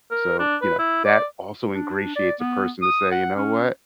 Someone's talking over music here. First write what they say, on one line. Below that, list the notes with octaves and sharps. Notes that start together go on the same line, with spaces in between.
So, you know, that also ingratiates a person to say, you know what?
A#4
D4
B4
E4
D5
D4
D5
B3
D#6
F#5
C#4